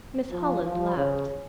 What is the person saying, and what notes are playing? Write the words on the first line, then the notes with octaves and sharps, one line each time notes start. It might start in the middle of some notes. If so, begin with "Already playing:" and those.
Miss Holland laughed.
F3
F3
C#3